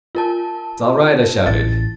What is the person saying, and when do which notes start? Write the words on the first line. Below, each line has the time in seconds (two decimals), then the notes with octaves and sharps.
"It's all right," I shouted.
0.15 F4 A#4 A5
1.46 A1 A6